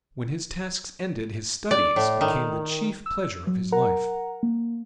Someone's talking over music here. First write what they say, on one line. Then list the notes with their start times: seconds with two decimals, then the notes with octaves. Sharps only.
When his tasks ended, his studies became the chief pleasure of his life.
1.71 D5
1.96 A2
2.21 D#3
3.06 E6
3.47 F#3
3.72 A#4 F#5 A#5
4.43 A#3